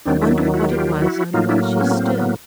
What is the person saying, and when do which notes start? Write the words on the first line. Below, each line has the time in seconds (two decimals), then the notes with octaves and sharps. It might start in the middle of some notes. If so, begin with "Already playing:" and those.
I wondered what it was on which she stood.
0.05 D#2 D#3 F#3 C4 D4
0.21 D4 E4
0.38 D4 E4
0.54 E4 F#4
0.69 F4 G4
1.01 E4 F#4
1.33 A2 F#3 A#3 D#4 F4
1.49 D4 E4
1.81 B3 C#4
1.97 C4
2.18 B3